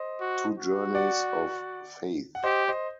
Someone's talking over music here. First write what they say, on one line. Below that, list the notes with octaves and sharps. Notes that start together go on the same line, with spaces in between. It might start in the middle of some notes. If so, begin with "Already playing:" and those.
Two Journeys of Faith.
Already playing: C5 D#5
F#4
F#4
D5 F#5
F#5
G4 C5 D#5
C5 D#5